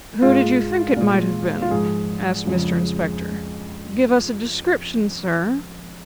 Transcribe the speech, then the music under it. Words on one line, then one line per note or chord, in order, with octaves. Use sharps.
'Who did you think it might have been?' asked Mr Inspector. 'Give us a description, sir.
G#2 G#3 F4
A#2 G#3
F4
G#2 F3 G#3 G#4
F2 C#3 F3 G#3